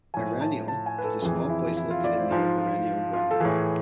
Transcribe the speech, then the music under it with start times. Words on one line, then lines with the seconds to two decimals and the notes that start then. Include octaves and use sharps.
Eraniel has a small palace located near Eraniel Gramam.
0.14 A2 F3 G#5
0.41 A5
0.68 A5
0.86 G#5
0.98 B4
1.04 A4
1.22 F2 E3 G#4
1.49 E4
1.77 E4
1.90 F4
2.04 D5
2.18 C5
2.31 G#2 F3 F4
2.58 F4
3.13 F4
3.31 A4
3.40 A2 E3 G#4